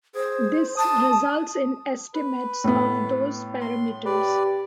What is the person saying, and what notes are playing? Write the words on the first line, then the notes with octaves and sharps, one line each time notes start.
This results in estimates of those parameters.
G#4 C5
A5 D#6
B4
A2 B3
C6
G4 B4 D5